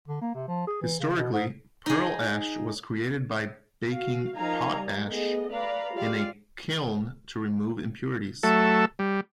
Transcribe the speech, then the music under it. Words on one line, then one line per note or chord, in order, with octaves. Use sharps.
Historically, pearl ash was created by baking potash in a kiln to remove impurities.
D3
A#3
C3
F3
G#4
E3
C#3
B2
G#2
D#4 G#4
F#4 F5
F3 D#4 A#4 F5 G#5 A#5
G3
A3 B3 G#4 D#5
B4 D5 F5 A#5 B5
G#3 F4 G4 D5 F5
F#3 A3 A4 E5
G3